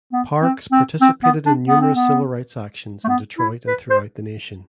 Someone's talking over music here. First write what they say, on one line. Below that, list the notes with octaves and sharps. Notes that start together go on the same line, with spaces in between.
Parks participated in numerous civil rights actions in Detroit and throughout the nation.
B3
C4
C4
C4
B3
D4
B3
C4
B3
A3
B3
E4
B4
C5